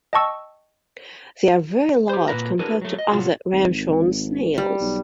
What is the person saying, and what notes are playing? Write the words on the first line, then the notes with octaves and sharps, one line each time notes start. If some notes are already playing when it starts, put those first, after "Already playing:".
They are very large compared to other Ramshorn snails.
D#5 G5 A5 C#6 E6
G4 C5
A#2 G3 B4 A#5
D4 E4 F#4 G#4 A#4 B4
F#3 A3
D#5
A2 C3 F#3 F4 F#4
G#1
G3
B1